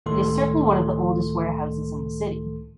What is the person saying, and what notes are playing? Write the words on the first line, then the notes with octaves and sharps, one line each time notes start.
It is certainly one of the oldest warehouses in the city.
C#2 A2 D#3 A3 A4 C6